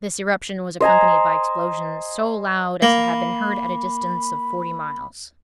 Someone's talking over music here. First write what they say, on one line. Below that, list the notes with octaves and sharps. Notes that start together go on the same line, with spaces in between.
This eruption was accompanied by explosions so loud as to have been heard at a distance of forty miles.
C5 D#5 G#5 A#5
A#3 B5